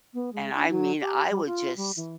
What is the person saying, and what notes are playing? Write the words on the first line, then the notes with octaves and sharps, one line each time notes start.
and I mean, I would just
B3
G#3
D4
F#3
G4
G3
F4
G3
E3